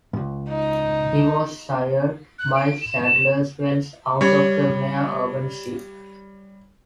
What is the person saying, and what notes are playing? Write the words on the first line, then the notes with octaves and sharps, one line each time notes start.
He was sired by Sadler's Wells out of the mare Urban Sea.
C#2 G2
D#4
F#6
D7
E7
G3 C#5